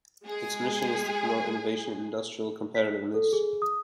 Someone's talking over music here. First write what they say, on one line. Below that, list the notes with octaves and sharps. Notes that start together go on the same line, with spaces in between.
Its mission is to promote innovation and industrial competitiveness.
G#3 G#4
B6
A4
G#4
D#6